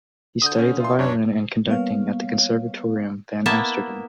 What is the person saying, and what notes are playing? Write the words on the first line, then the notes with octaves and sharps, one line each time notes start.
He studied the violin and conducting at the Conservatorium van Amsterdam.
D3 D#6 G6
C#4
A#2 E3 F4 C6
F#2 D4 C#5
G3 A#3 B3 C#5 F5
A#3 B3 E4 E5 A5